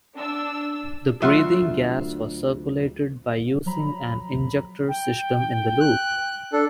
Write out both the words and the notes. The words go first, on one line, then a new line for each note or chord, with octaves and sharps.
The breathing gas was circulated by using an injector system in the loop.
D4 E6
D2 F#3 A3 D4 F4 E5 F#5 C6
F3 F#3 A#5 B5
G5
F#6
D4 A4